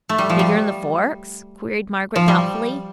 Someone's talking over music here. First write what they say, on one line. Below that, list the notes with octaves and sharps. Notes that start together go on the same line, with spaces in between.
"Bigger'n the Forks?" queried Margaret doubtfully.
A3
G3
F3
G3
F3
G3